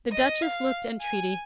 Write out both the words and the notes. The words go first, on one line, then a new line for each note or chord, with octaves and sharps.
The Duchess looked entreaty.
D#5
F5
G#5